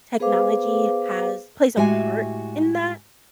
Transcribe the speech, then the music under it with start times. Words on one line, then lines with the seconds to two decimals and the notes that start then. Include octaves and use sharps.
technology has plays a part in that?
0.20 B3 G#4 B4 C5 F5 D6
1.76 A2 G#3 F#4 G4 E5 G#5